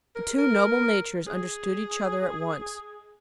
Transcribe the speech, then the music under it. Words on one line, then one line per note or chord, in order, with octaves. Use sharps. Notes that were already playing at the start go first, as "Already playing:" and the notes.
The two noble natures understood each other at once.
A#4
A#4
G#4